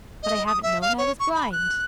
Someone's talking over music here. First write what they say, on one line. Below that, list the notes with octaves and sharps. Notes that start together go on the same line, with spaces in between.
"But I haven't known I was blind!"
D#5
D#6
E5
F5
C#5
C#6
B5
F#6